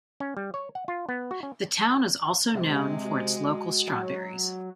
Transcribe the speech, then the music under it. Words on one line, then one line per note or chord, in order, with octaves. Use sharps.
The town is also known for its local strawberries.
C#4
G3
C#5
F#5
F4
B3
F#4
C#4
C3 G#3
F#4
F#3